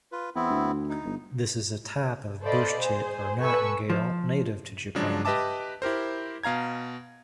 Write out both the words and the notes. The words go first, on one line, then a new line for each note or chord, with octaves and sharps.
This is a type of bushtit or nightingale native to Japan.
F4 B4
E2 B3 C4 E4
D2
D#4
G1
A4 C5 D5 D#5 F5 B5
G#4 C5
A4 B4 G#5 C#6 E6
F3
C#3 F3 F#3 G#3 D4
G4 B4 D#5 E5 A5 D6
E4 G4 A#4 C5
B2 F5 A#5 G#6